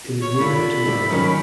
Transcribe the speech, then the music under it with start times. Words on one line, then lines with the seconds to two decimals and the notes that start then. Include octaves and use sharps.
It is native to Iran.
0.22 C#5
0.40 D3 F4 B5
0.86 G3 E4
1.09 D#3 F#3 C#4